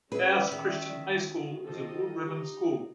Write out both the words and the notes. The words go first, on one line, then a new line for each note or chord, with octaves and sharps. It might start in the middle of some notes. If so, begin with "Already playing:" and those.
Pass Christian High School is a Blue Ribbon school.
G#3 C#4 G#4 B4 D5 E5
D#3
F#4
F3 A4 D#5
D#4 G4